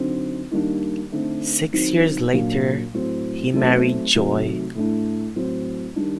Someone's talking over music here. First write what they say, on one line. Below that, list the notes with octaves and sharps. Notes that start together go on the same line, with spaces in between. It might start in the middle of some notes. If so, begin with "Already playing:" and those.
Six years later, he married Joy.
Already playing: D3 F#3 C4 D#4
D#3 G3 A#3 D4
D3 A3 C4 D#4
D#3 F#3 C4 D#4
A#2 F#3 A#3 D4
A2 F#3 C4
F#3 A3 C4 D#4
C3 D#3 F#3 A3
A2 A3 D4
A2 F#3 C4
D#3 G3 D4